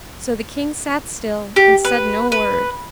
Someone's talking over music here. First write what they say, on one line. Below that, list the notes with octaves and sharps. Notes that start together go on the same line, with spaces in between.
So the king sat still, and said no word.
G4
B4
B4